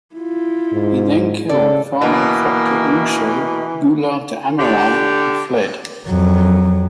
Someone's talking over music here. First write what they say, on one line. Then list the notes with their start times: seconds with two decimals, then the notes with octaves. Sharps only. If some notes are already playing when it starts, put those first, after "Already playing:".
He then killed farmer Fructuoso Goulart do Amaral and fled.
0.15 E4 F4
0.73 G#2
1.49 C#3 A4 D5
2.02 B2 E3 A#3
4.58 D3 G4
6.07 F2 F#3